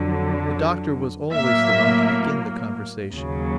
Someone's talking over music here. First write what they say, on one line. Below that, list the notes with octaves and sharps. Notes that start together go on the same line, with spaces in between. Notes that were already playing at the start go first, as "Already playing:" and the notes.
The doctor was always the one to begin the conversation.
Already playing: F2 D3 F#3
A2 F#3 A#3 E5
D#2 C#3 F#3